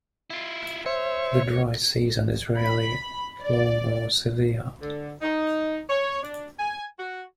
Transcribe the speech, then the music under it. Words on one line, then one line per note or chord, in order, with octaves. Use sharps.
The dry season is rarely long or severe.
E4 F4
C5 C#5 E5
B5
D5
D3
D#4
C#5
D4
G#5
F#4